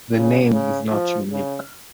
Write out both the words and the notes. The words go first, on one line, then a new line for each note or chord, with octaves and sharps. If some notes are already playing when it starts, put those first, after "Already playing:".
The name is not unique.
C#3
C#3
F3
C#3